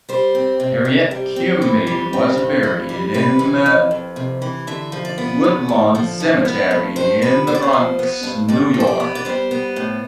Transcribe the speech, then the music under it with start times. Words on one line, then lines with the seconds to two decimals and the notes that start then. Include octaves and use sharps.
Harriet Quimby was buried in the Woodlawn Cemetery in The Bronx, New York.
0.09 G3 C5
0.35 C4
0.60 C3
0.85 C3
1.11 G3
1.36 C4
1.62 E3
1.87 G3
2.13 C4
2.38 G2
2.63 E3
2.89 G3
3.14 C3 B4
3.39 E3
3.66 F2
3.91 F2
4.16 C3
4.42 E3
4.67 D3 E5
4.92 F3
5.05 D5
5.18 B3
5.44 E2
5.69 D3
5.95 F3
6.20 F3
6.45 B3
6.71 G2
6.96 G2 C5
7.22 F3 B4
7.47 B3 C5
7.55 D5
7.62 C5
7.73 F3
7.99 B3
8.23 G2
8.49 G2 D5
8.74 F3
8.80 C5
8.87 D5
9.00 B3
9.15 D5
9.25 G3 C5
9.51 B3
9.76 A2